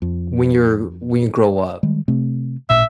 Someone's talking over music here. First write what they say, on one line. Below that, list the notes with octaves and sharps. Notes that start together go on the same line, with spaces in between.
when you're when you grow up,
F2
D#3 G3 G#3
C3 A3 C4
A1 A#2 E5